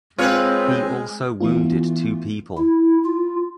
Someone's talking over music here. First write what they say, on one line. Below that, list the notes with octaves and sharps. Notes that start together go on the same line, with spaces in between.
He also wounded two people.
G#3 C4 F4 B4 C#5 F6
E3 A3 B3 F4
E4
F4